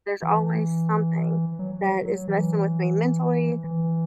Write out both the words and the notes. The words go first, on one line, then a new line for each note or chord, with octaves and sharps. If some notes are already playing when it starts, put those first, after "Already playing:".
there's always something that is messing with me mentally
E3
F#3
F#3
F#3
E3
E3